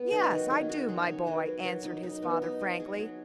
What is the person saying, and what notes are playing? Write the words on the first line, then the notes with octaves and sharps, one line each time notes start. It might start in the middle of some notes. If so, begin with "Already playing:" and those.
"Yes, I do, my boy," answered his father, frankly.
Already playing: B3
F#3 D#4
D#3 F#4
D#4 G#4
D#4 F#4
F#3 G#4
D#4 C#5
F#3 B4
A#3
F#3
D#4
D#4
B3
D#4
F#3
F#3 G#4
F#3